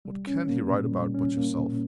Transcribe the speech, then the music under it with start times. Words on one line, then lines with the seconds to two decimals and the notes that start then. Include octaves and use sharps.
What can he write about, but yourself?
0.05 G3
0.27 C#4
0.49 A#3
0.71 A#2
0.92 G3
1.14 C#4
1.37 A#3
1.58 A#2